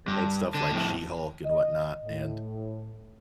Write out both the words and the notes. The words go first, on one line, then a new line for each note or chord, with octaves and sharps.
they made stuff like She-Hulk and whatnot, and
G2
D3
F2 A2
D#5
A2